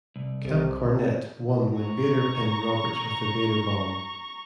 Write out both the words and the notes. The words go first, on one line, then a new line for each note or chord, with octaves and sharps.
Camp Cornette won when Vader pinned Roberts with the Vader Bomb.
C2
B1 C3
A#5 C#6